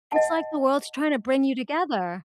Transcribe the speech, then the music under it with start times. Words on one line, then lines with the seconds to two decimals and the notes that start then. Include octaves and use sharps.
it's like the world's tryna bring you together.
0.12 D#5 F#5 A5